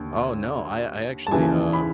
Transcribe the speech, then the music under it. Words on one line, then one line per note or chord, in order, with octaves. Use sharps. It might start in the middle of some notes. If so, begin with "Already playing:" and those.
Oh, no. I I actually, uh,
Already playing: D#2 D3
A5
D#2 C#3 E3 G#5
B5